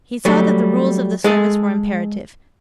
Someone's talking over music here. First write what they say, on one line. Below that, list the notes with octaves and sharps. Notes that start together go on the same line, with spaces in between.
He saw that the rules of the service were imperative.
F#3 G3 A3
G#3 G#4 A4